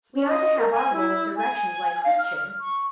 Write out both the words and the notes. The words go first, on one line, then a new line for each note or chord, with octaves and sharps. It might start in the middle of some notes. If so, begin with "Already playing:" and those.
We ought to have our roll of directions, like Christian.
C#4
D#5
A#4
G#5
E4
G#5
F5
F6
C#6